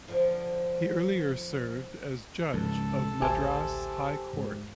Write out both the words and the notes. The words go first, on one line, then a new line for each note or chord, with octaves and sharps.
He earlier served as Judge of Madras High Court.
D3 F3
C#2 G#2 F3 A4
A1 D2 A2 G4 C5 E5 G#5 A5
G#2